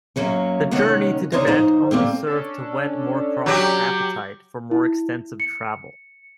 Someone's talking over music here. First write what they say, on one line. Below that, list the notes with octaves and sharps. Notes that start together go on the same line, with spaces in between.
The journey to Tibet only served to whet Moorcroft's appetite for more extensive travel.
F#2 F#3 A#3 C#4
D#2 C3 D#3 C#4 F#5
D3 D#3 C4 G#4 C#5 A#5
F3 D#4 C5
G3 A#3 C4 A4
C#4 D4 A4
F#3 G4
E4
C#7